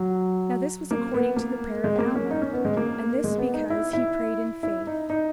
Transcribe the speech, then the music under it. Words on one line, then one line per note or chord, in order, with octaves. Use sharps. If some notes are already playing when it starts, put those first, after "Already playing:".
Now this was according to the prayer of Alma; and this because he prayed in faith.
Already playing: F#3
A#3
B3
A#3
G#3
A#3
C#4
D#4
C#4
B3
G#3
A#3
G#3
B3
D#4
E4
E4
E4
D#4
D#4